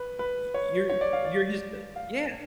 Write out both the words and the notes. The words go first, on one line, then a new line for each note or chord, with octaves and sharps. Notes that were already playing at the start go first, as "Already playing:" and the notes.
y y you're you're just a yeah.
Already playing: B4
B4
C#5
C#5
D5
F5
D5
F5